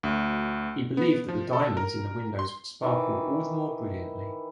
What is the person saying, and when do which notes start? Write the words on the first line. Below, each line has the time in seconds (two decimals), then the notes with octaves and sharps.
He believed that the diamonds in the windows would sparkle all the more brilliantly.
0.03 D2
0.97 B3
1.28 F3
1.53 A4
1.77 A#4
2.39 C6
2.82 D#3 E3 D6